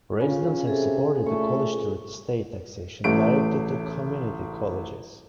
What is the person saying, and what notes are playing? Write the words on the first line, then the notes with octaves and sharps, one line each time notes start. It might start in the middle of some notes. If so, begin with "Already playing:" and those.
Residents have supported the College through state taxation directed to community colleges.
C#3 F4
C3 G#4 A4
A#2 A3 C#6
A1 A3 D7